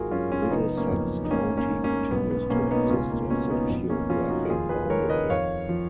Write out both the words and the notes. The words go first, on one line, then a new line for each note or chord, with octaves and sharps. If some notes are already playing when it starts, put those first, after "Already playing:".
Middlesex County continues to exist as a geographic boundary.
Already playing: G#1 F4 F#4 G#4 A#4
F#2 C#4 F4
C#4 F4
F4
F#1 B3 D#4
A#3 C#4
F2
D#4
G#1 A#3 C#4
A#3 C#4
G#2
A#3 C#4
B1 B3
B3
B2 A#3 C#4
B3 D#4
F#4
C#2 C#4 F4
A#3
B2 A#3 C#4
B3 D#4
F2 B3
A#3 C#4
F3 C#4 F4
D#4 F#4
A#4
D#2 F4 G#4
G#4 B4
D#3 A#4 C#5
B4 D#5
F2 C#5 F5
F3